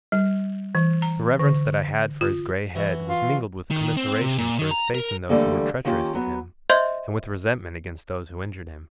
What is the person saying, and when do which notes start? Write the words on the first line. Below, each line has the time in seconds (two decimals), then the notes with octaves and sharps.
The reverence that I had for his grey head, was mingled with commiseration for his faith in those who were treacherous to him, and with resentment against those who injured him.
0.12 G3
0.75 E3
1.02 A#5
1.39 D3
2.21 F4
2.75 E3 F#4
3.08 F4
3.71 D#3
3.97 C4
4.21 C3
4.38 A#2
4.59 D#3
4.71 A#5
4.95 A#4
5.29 D3 E3 G3 A3 A#3 C#4
5.85 D#3 A#3 C#4 F4 G4
6.14 F#3 B3
6.70 C5 D#5 E5 C6 G6